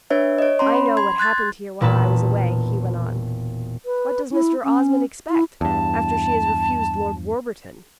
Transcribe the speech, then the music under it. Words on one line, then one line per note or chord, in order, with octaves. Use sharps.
"I know what happened here while I was away," he went on; "What does Mr. Osmond expect after she has refused Lord Warburton?"
D4 B4 C#5 E5
C#5 D#5
C#4 C#5 A#5 C6
B5
C6 G#6
C6 F#6 G#6 A6
E1 A#2 B4 A5 B5
B4
E4
C#4
E4
E2 G2 A5